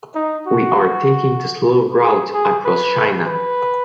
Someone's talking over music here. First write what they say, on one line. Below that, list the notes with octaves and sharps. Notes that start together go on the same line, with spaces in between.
We are taking the slow route across China.
D#4
F#4
G#4
G#4
B4
B4